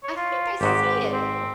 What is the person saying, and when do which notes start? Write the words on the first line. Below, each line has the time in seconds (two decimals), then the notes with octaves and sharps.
"I think I see it."
0.03 C#5
0.17 F4
0.61 G#1 G#2 F#4 G4
1.13 C4